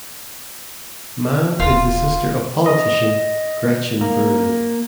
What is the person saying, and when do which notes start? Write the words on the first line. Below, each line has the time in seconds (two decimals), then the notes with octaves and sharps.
Mann is the sister of politician Gretchen Brewin.
1.60 D#1 F4
2.66 D#5
4.01 A#3